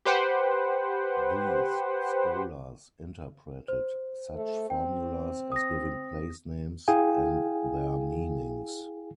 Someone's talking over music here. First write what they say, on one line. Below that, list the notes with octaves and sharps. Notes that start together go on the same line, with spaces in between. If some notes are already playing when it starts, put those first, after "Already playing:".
These scholars interpreted such formulas as giving place names and their meanings.
G4 B4 C5 F#5 G5
C5
A3
C4 G5
D#6 A#6
E4 G#4 F5 G5 G#5